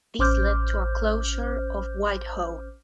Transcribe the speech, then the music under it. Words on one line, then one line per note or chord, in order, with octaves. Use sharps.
This led to a closure of Whitehall.
A1 C#4 C5 D6 F6 G6